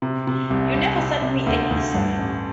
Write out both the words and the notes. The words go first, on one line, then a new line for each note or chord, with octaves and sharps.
You never sent me any essay.
C3
C3
C2
C2
C3
C3
D2
D2
G2
A1